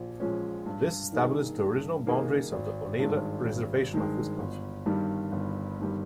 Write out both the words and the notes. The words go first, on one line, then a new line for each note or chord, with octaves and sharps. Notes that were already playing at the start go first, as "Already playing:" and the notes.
This established the original boundaries of the Oneida Reservation of Wisconsin.
Already playing: A#1 F3
A#2 F3 G#3 C#4
G2
D#3 A#3 D#4 G#4
G2
D#3 A#3 D#4 G#4
G#1
G2 D#3 G#3
G#1
G2 D#3 G#3
G1
G2 D#3 G3
G1
G2 D#3 G3